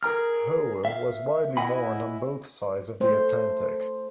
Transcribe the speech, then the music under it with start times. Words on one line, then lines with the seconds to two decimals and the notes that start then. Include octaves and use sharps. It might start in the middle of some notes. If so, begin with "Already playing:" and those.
Howe was widely mourned on both sides of the Atlantic.
0.03 G#4 A#4 A#5 F6
0.85 E5 F5
1.57 E4 D#5 F#5 G#5 B5
3.00 A3 C5